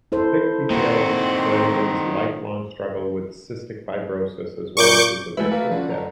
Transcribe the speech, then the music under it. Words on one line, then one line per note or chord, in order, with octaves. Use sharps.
"Sick" details Flanagan's lifelong struggle with cystic fibrosis, as well as his eventual death.
E4 A4 C5
D#3 A#3 C4 F#4
A#2 C#6 D6 G6
G#3 A3 E4 F#4 B4 G#5
A#3 E5 G#5
D3 F3 C#4 F4
F#2 A5 A#5